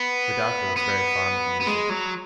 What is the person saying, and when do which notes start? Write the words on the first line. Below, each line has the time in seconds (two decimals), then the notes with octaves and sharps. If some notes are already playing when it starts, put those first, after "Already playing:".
The Doctor was very fond of music.
Already playing: B3
0.76 B3
1.61 B3
1.66 G#3
1.89 F#3